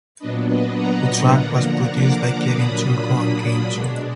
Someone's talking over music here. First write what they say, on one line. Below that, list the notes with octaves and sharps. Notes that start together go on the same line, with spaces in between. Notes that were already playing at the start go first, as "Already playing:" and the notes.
The track was produced by Kevin Churko and Kane Churko.
A#2 F#3 B3 D4 B4 D#5
B4 D#5
F#5 A#5
D3 F3 A#3 D4 F#5 A#5
A#5 D6
A#2 F#3 A#3 D4 B5 D#6
B2 G#3 D4